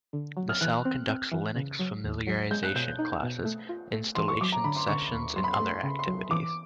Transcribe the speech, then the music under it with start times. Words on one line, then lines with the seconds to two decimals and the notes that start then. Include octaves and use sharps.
The cell conducts Linux familiarisation classes, installation sessions and other activities.
0.13 D3
0.37 F#3
0.49 F6
0.61 E3 F#6
0.85 C4
1.08 C4
1.32 E3
1.56 C#3
1.79 F#3
2.04 D#2
2.27 F#3
2.51 G#3 G6
2.63 F#6
2.75 B2 G6
2.99 D#4
3.23 B2
3.45 A3
3.69 F4
3.93 A3
4.15 E3 C6
4.28 C#6
4.41 F#3 D6
4.52 A#5
4.64 D3 B5
4.76 C6
4.88 D3 C#6
5.12 D#2
5.36 F#3 C6
5.44 B5
5.53 C6
5.60 A3
5.83 C#3
5.99 C6
6.07 F#3
6.31 E3 D6